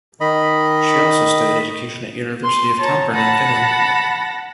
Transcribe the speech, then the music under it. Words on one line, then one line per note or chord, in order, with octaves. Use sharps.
She also studied education at University of Tampere in Finland.
D#3 D#5 B5
C6
C#5 A5 A#5
F#5 A5 B5 A#6